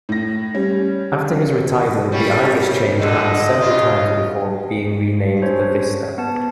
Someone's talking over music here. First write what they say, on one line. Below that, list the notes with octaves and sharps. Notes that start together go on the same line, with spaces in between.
After his retirement, the Iris changed hands several times before being renamed the Vista.
A2 A#6
G3 C#4
G3 C#4
A#2 D3 D#3 D#5
C#3 F4
C#4 D4 F#4 C5 C#5
B3 A5